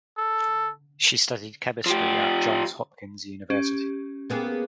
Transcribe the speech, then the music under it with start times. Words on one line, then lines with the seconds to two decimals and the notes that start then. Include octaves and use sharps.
She studied chemistry at Johns Hopkins University.
0.18 A4
1.86 F3 G4
3.50 C#4 G4
4.30 A#3 B3 G#4